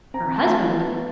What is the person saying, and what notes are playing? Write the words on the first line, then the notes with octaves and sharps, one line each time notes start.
Her husband?
C4 A#5
A5
G#3
A3
G3
B3
B3